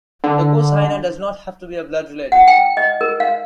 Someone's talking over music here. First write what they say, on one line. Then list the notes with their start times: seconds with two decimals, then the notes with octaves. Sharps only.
The co-signer does not have to be a blood relative.
0.24 D3
2.32 F#5
2.48 G5
2.77 D#5
3.01 A#4
3.20 F5